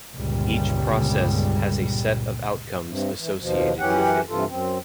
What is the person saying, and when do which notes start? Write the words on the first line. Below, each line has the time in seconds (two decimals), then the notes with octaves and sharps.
Each Process has a set of outcomes associated with it.
0.16 G1 C#2 A#2 G3
2.87 G2 C3
3.17 E3
3.39 D#2 B2 F3
3.79 F#2 E3 C#4 G4 F#5
4.29 G2 C3 E3 F4 A4
4.47 F#2 C4